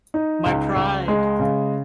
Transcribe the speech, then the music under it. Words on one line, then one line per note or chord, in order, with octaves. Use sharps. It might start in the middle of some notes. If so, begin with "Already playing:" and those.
My Pride!
D#4
C#2
C#2
G#3
C#3